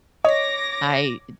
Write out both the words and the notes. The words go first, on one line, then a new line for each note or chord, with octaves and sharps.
I, d
C#5 D#5 D6 A#6 B6